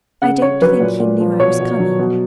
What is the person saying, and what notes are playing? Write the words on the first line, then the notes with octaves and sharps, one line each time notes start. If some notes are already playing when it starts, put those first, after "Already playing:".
"I don't think he knew I was coming."
C#3 F#5
C#3 C#5
F#3 B4
A#2
A#2
F3
B2 C#5
B2
F#3
B2